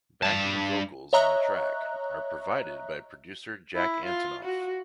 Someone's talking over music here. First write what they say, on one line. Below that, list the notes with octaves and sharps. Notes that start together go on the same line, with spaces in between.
Backing vocals on the track are provided by producer Jack Antonoff.
G2 A5
C#5 D#5 E5 A#5 C#6 F#6
E4
F4
F#4